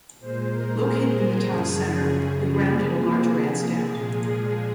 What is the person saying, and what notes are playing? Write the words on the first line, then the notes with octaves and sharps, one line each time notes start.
Located in the town centre, the ground had a large grandstand.
A#2 G#3 C5
A#4
G#4
F#2 C#3 F3 G#4
C3 F3 A#3
A#2 F3 G#3 G#4